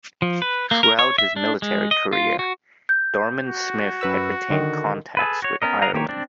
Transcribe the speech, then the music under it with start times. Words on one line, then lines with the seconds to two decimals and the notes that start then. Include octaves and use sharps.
Throughout his military career, Dorman-Smith had retained contacts with Ireland.
0.22 F3
0.42 B4
0.71 A#3
0.83 A#4
0.99 C#5
1.18 E5
1.36 D4
1.62 G#3
1.91 D#5
2.13 F4
2.39 F#4
2.89 G6
3.46 F#4
4.01 F#2 B4 E6
4.50 D3 D#3
5.17 G#4 A4 B4
5.42 F#4 C#5
5.62 B3 C#4 A#4 D#5
5.82 A#4 D#5 F5 F#5 A#5
5.93 D#3 A#3 G4 C#5
6.09 C4 D4 D5